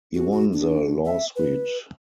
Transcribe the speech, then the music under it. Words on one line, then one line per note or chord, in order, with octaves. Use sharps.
He won the lawsuit.
F#4
F#4
D4
E5
B4